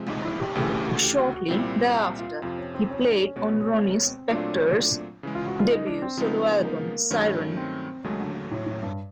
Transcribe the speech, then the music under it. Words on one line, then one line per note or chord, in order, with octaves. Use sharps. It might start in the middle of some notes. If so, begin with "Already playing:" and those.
Shortly thereafter, he played on Ronnie Spector's debut solo album "Siren".
Already playing: C3 F3 G#3 C4
D#4
E4
G4
D2 C#3 E3 A3 G4
G4
F#4
G4
F#4
F#4
C2 A#2 G3 C4 E4
F4
F2 C3 F3 F4
C#4
C4
C#4
D4
C#4
B2 G#3 B3 C#4
C#4
C#4
C4
A#2 F#3 A3 C4 D4 F4
C#4
D4
C#3 E3 G#3
F4
F#4
F4
D#4
D4
C4
C#3 F3 G#3 B3 D#4
A#3
G2 D#3 F#3 A3 C#4
C4
D#2 C#3 F#3 G#3 A3
D3
A2
A2
G2